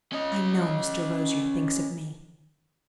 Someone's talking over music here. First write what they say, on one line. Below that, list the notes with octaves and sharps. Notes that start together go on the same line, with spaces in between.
"I know Mr. Rosier thinks of me."
C#4 D#5